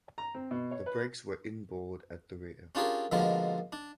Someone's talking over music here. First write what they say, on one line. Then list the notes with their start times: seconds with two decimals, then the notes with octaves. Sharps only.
The brakes were inboard at the rear.
0.18 A#5
0.34 C4
0.51 B2
0.71 C#5
0.86 B4
2.75 C#4 D4 F4 G4 G#4 A#4
3.12 B2 D3 F3 G#3 A#3 A#4
3.72 D4